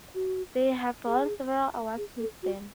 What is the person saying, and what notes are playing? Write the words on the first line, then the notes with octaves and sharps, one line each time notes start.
They have won several awards since then.
F#4
G#4
G#4
A4
F#4